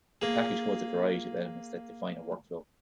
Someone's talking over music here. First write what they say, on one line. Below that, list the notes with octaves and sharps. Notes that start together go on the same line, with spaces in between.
A package holds a variety of elements that define a workflow.
A#3 G#4